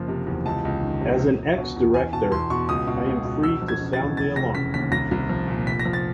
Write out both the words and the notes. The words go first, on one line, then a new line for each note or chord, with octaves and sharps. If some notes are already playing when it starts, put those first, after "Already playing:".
As an ex-director, I am free to sound the alarm.
Already playing: F#1 F3
C3
E2
C#2 A5
C#2
D#3
C3
E1
E1
B2
E2
E2 G#5
B2 A5
E2 C6
B2 C#6
C#2 D#6
B2
C#2
B2
E1 E6
F3
G#6
C#3
A6
E2
F1 A6
F1 A#6
C#3 B6
D#2 B6
C2 A#6
C2
F3
A#2
F1 B6
A#6
F3
A6